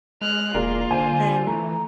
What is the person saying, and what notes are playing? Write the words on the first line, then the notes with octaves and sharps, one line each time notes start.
then it
G#3 F6 F#6
E1 A#3 F4 G#4 A#4 D5
D3 C5 G#5
E3 A3 A#5